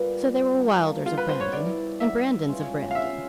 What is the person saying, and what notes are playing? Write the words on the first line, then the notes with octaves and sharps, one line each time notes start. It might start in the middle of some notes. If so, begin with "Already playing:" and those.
So there were Wylders of Brandon, and Brandons of Brandon.
Already playing: A#2 G3 B3
D3 G3 A#3
F4
B4
C5
C#5
B2 G3 B3 E4 D5
E5
G#3 C#4 F4
F5
E5